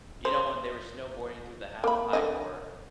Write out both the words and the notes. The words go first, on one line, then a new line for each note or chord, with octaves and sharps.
you know, when they were snowboarding through the half pipe, or,
C5
A#3 B5
D3 E3 D#5